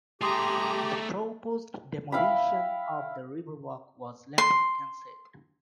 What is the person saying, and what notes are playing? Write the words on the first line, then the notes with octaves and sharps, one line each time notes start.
The proposed demolition of the Riverwalk was later cancelled.
A3 G4 G#4 A#5 C6 D#6
E4 F5 G5 B5
C6